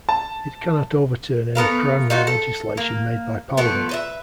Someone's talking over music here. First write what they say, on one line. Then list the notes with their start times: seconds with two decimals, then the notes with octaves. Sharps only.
It cannot overturn any primary legislation made by Parliament.
0.09 A5
1.55 A3 B3 A#4 F5
2.10 D#4 F4 F#4
2.27 A4
2.77 A#3
3.57 F3 A3 B3
3.89 B4 C5 E5